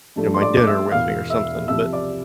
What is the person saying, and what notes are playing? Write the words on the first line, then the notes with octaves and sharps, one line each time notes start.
you know, my dinner with me or something, but
G2 F3 A3 D4
C6
D5 D6
D6
E5 E6
E1 E2 E3 F5 F6
E5 E6
C2 C3 F3 E5 E6
D5 D6